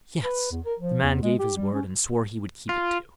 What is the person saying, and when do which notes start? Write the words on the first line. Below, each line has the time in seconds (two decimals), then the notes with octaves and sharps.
Yes! the man gave his word, and swore he would keep it too.
0.24 B4
0.51 E2
0.65 A#4
0.79 F3
1.03 E2
1.23 G#3
1.39 G4
1.56 G3
1.74 C#4
2.69 F4